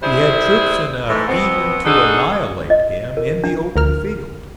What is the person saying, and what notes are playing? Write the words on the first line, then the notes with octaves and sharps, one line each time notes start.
He had troops enough even to annihilate him in the open field.
G3 E4 G#4 B4 C5
G#2 E3 A3
B2 B3 C4
D4 D#4 F#4 G#4 A4
D#5
A#4
D4
D2 A#4 F6